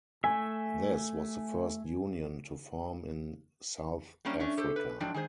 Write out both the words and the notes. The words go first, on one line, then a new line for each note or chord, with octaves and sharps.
This was the first union to form in South Africa.
A3 E5 G#5
F#3 G3 A#3 C#4 D4
A3 C#4 D4
G4 A4 C5
B4
G#2 F3 F#3 D4 D5 G5
D#3 G#3 G#4 C5